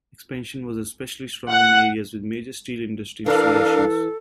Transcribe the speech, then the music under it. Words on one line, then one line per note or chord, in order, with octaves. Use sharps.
Expansion was especially strong in areas with major steel industry installations.
F#5
E3 D4 E4 A4 A#4 F5